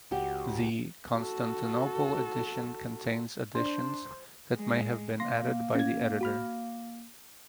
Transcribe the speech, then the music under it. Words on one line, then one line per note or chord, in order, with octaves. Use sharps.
The Constantinople edition contains additions that may have been added by the editor.
C#2 F#4 G4
F#4 A4
D4 C5
G#3
A#3 C6 A#6
C#4 G#6
F#4 B5 F6